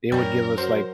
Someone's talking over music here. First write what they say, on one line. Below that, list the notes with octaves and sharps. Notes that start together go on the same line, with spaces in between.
they would give us, like,
F#2 G3 C#4 A#4
F#3 C5